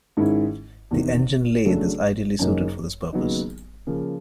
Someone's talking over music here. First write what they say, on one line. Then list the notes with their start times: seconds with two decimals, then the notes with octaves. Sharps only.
The engine lathe is ideally suited for this purpose.
0.17 G#2 D#3 G#3 C#4 E4
0.91 E2 C3 D#3
1.65 C#3 F#3 A3 D4
2.39 F#2 C#3 F#3 A#3 D#4
3.13 D#2 C#3 F#3 B3 D#4
3.87 C#3 F3 A#3